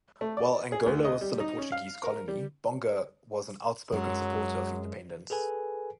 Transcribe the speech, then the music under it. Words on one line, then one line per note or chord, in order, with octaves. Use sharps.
While Angola was still a Portuguese colony, Bonga was an outspoken supporter of independence.
A3
D5
G#4
D2
D#5
G3
D#4
C#4
F5
A#4
G3
F#2 F#3 G#3
G#4 A4 B4 G#5